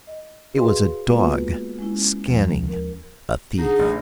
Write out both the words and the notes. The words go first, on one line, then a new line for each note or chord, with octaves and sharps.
It was a dog scanning a thief.
D#5
F#4 G#4 B4 D#5 F5 C6
G#3 A#3 B3 F4 F#4 B4
G#3 C#4 E4
D#2 F3
A#4
D3 D#4 G#4
A1